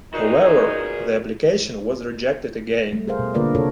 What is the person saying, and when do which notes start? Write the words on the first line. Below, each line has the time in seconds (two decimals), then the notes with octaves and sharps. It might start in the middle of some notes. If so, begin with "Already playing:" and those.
However, the application was rejected again.
0.14 A#2 D#4 F#4 G#4 B4 C5
2.92 G3 A3
3.07 G#4 A#4 C5 F5
3.19 B2
3.34 D3 A#3 F4 A#4 B4 D5
3.55 C3 F#4 A4 A#4 C#5